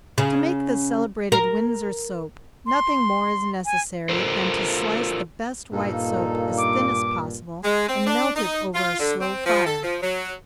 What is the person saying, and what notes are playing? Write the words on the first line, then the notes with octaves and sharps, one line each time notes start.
To make the celebrated Windsor soap, nothing more is necessary than to slice the best white soap as thin as possible, and melt it over a slow fire.
C#3
A#4
C6
G#5
F4 A4 A#4 C5
G2 A#2 A#3 D#4 A4
D6
G#3
C4
D4
D#4
F4
D3
C4
F3
A4
F3
F#3